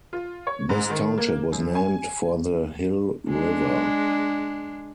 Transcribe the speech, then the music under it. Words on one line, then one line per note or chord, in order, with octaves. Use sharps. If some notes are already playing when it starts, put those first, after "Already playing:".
This township was named for the Hill River.
F4
C#5
G#2
D#3
A#3
F#2
G#5
G#3 D4